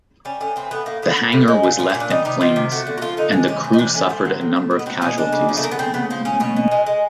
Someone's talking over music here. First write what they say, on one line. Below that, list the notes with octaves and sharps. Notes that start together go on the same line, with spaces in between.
The hangar was left in flames, and the crew suffered a number of casualties.
G3 C#4
A2 C#4
E3 C4
A2 B3
A3 A#3
A2 B3
F3
A2
G#3
A#2
F3 F4
C#4
A#2
D4
G3 D#4
C3 D#4
D#3 F4
C3
A3 F#4
D3
F#4
F3 F4
D3 D#4
G#3 D4
C3 C#4
E3 C4
D#4
C3 D4
A3 C#4
A2 C4
F#3
A2
A3
B2
B3
F#3 C4
B2 C#4
G#3 D4
C#3
F3
A3
C#3 A#3
B3
A3 C4
C#3 B3
F3 C4
C#3 C#4
B2 C#4
B2
G#3
G#3